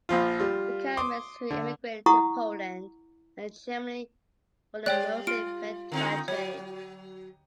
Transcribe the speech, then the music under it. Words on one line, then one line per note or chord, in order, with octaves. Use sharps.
The Kalmyks who emigrated to Poland and Germany were mostly repatriated.
A#1 F3 F4
G3 F4
C6 D6 D#6
D3
E4 F#5 A#5 C#6 D#6
G3 C#5 D5 G5 F#6
F4 D7
D3 C4 D#4
F#3 C#5